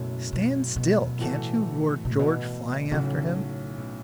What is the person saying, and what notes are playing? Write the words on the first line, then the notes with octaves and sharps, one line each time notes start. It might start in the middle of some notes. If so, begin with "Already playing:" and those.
"Stand still, can't you!" roared George, flying after him.
Already playing: F#1 F#2 B2 F#3 A3
B2
B2
A2 E3 A3 F#4 A4
B2
A2
B2
B1 A2 C#3 A3 C#4 F#4
B2